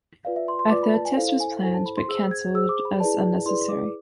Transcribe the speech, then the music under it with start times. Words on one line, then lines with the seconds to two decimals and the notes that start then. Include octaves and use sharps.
A third test was planned, but canceled as unnecessary.
0.25 F4 B4 D5 F5
0.36 E5
0.48 C6
0.59 C6
0.70 F4 B4 D5 D6
0.83 B5
0.94 A5
1.05 G#5
1.17 E4 A4 C5 F5
1.28 F5
1.40 G#5
1.51 F5
1.63 E4 A4 C5 G#5
1.74 A5
1.86 B5
1.97 C6
2.08 G#4 C5 E6
2.31 G#6
2.54 G#4 C5 E6
2.69 D6
2.85 B5
3.00 E4 G#4 B4 D5 A5
3.46 E4 G#4 B4 D5 C6
3.69 D6